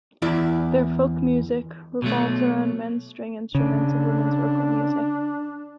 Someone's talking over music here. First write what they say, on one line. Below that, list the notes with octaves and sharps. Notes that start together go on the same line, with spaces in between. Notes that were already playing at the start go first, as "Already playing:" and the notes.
Their folk music revolves around men's string instruments and women's vocal music.
E2 E4 D5
B2 F#3 A3
C#3 D4